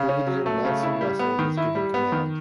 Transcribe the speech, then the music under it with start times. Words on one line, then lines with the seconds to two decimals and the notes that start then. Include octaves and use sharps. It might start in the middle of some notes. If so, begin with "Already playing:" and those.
Brigadier Nelson Russell was given command.
Already playing: C#3
0.09 C#4
0.27 F#3
0.46 A3
0.65 C#3
0.83 E4
1.01 G3
1.19 B3
1.39 D#3
1.57 E4
1.75 G3
1.94 B3
2.12 D#3